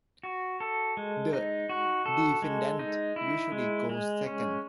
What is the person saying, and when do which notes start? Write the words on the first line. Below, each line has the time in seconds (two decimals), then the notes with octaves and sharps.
The defendant usually goes second.
0.23 F#4
0.60 A4
0.97 G#3
1.33 D#4
1.69 F#4
2.06 A4
2.42 G#3
2.79 D#4
3.16 E4
3.52 G#3
3.89 G#3
4.26 C#4